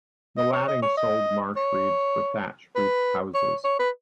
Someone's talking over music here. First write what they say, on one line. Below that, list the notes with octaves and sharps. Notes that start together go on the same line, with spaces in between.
The Lattings sold marsh reeds for thatched-roof houses.
D#5
C#5
D#5
C#5
D#5
C#5
B4
C#5
C#5
B4